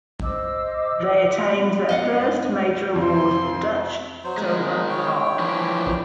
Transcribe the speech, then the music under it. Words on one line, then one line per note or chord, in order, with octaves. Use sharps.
They attained their first major award, the Dutch "Silver Harp".
C5 D#5 D6 E6
F#5 B5 C6 F#6
F#2 G#3 D#5 F5 F#5
F2 C3 C4 C6
F#3 C5
D#3 G#3 D#4
C#5 G5
E3 F3 D4